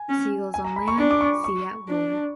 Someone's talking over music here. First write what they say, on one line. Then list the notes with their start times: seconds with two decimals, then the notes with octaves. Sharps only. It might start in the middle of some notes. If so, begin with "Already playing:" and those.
Seagulls on lands, sea at war.
Already playing: G#5
0.09 C#4
0.54 G#5
0.64 A#5
0.76 B5
0.88 C#6
0.98 D4 C#6
1.11 D6
1.21 C#6
1.44 C#6
1.88 D4